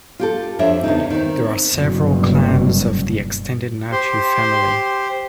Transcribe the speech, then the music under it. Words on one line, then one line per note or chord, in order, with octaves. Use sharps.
There are several clans of the extended Natu family.
F4 G4 A4
F2 F3 D4 C#5 E5
E2 C#3 D#4
D#3 C4
F#1 G2 B2
G4 C5 C6